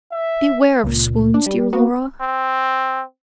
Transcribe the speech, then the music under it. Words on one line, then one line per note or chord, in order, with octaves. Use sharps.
Beware of swoons Dear Laura....
E5
C#2 A#2
D4
G3
A#3 B3 F#4
C4